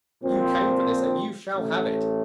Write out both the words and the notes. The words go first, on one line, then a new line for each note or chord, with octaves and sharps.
You came for this, and you shall have it!
A#2 F3 C4
A1 A2 A3